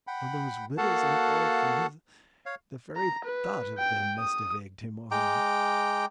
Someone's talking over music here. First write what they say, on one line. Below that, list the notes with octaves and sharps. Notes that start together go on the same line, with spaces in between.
Those widows and orphans--the very thought of them must have egged him on!
F#5 G5 B5
A#3 F#4 A4 F5 F#5 A5
C#5 F5
A#5
B4
G5
D#6
G#3 G5 A#5 D6